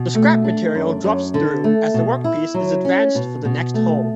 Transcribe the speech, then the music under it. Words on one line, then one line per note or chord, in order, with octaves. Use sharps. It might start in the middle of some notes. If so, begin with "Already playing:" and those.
The scrap material drops through as the workpiece is advanced for the next hole.
Already playing: B2
A3
D4
F#2
F#2
D3
A3
B2
E4
F#3
C#4
B2
B2
A3